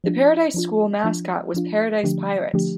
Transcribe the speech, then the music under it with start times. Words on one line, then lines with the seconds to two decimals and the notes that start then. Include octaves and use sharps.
The Paradise school mascot was Paradise Pirates.
0.04 F3 D4 F4
0.54 F3 D4 F4
1.04 F3 D4 F4
1.54 F3 D4 F4
2.04 D3 F3 A3 D4 G4
2.53 D3 F3 A3 D4 G4